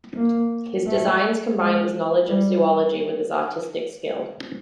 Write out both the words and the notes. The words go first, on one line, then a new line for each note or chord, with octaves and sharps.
His designs combined his knowledge of zoology with his artistic skill.
A#3
A3
G#3
G3